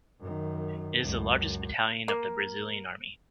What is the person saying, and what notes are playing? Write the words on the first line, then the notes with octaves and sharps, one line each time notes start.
It is the largest Battalion of the Brazilian Army.
F#2 D#3
C#2 F#2
A#3